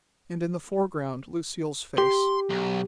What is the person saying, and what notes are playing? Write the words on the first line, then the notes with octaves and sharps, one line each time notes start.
And in the foreground Lucille's face.
G4 C6
B1